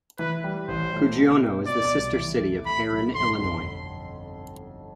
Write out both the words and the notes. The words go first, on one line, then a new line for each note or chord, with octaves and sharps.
Cuggiono is the sister city of Herrin, Illinois.
E3 B4
G3
A1 C5
A2
B2
C4
B2 D5
C2
E3
A3
A3 B5
B1
G1 C6
F2